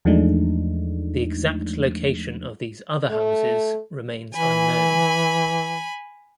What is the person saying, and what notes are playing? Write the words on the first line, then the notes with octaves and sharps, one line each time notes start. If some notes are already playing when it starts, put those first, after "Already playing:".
The exact location of these other houses remains unknown.
E2 F3 G#3 A3 D4 D#4
A3
E3 G#5 B5